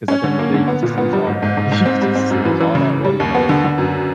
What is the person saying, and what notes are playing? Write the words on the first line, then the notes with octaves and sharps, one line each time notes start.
‘cause at the end of day, you could just lose all that you could just lose all that money, like
C#4
D3
A#3
D3
B3
A#2
B3
G3
G#2
G#2
G#2
G#2
C4
G3
C4
F#2
E3
E3
C#3
C#3
G3
D#2
B3
D3
D3
F#2